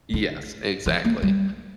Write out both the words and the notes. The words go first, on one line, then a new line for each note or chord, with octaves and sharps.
Yes, exactly,
D3
E3
A#3
G3